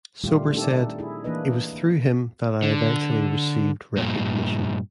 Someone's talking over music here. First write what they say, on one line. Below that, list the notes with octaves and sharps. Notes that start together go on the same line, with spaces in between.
Sobers said, "it was through him that I eventually received recognition".
A#2 D#3 G3 A3 F4 G4
A3 C4 D4 D#4 G4 A4
E4 G#4
E3 A#3 D4 B4 D#5
D3
G2 A#2